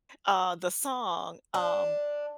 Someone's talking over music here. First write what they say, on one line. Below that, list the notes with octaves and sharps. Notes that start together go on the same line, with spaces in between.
uh, the song, um
D4